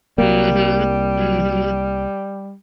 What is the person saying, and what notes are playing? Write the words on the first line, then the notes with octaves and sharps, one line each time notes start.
Mhm. Mhm.
C2 G3 A#3